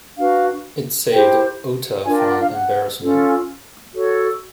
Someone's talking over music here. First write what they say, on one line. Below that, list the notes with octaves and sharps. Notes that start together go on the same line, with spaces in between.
It saved Ota from embarrassment.
D4 F#4 B4 F5
E4 G4 C5 G5
D4 F4 A#4 G#5
G5
F#5
F5
F#5
C#4 F4 A4
F#4 A4 C#5